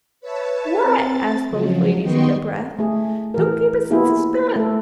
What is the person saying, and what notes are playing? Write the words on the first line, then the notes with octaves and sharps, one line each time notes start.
"What?" asked both ladies in a breath; "don't keep us in suspense."
B4 C#5 E5 A5
C4 A6
C#3 F3 F#3
D#3 B3 D#5 G5 C6 C#6
A3 G#4
E3 G#4 A#4
A#3 B3 E4 F4 G#4
A3 A4